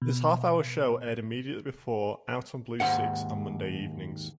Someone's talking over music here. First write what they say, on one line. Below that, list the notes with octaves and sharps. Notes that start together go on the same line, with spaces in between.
This half-hour show aired immediately before "Out on Blue Six" on Monday evenings.
B2
D#2 G#2 F#5